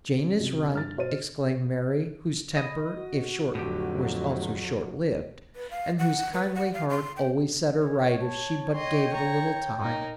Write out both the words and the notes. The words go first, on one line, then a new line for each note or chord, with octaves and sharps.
"Jane is right," exclaimed Mary, whose temper, if short, was also short-lived, and whose kindly heart always set her right if she but gave it a little time.
C#4
F#2 C3
G2 F6 A6
B2 C5 D#7
D#5 B5
F#4
F2 A2 D3 F#3 G4
B4
F5
F#5
B4
F#5
F5
C6
G5
C#5
A5
D#5 G5 C6
A#5 C#6
D#4 A#4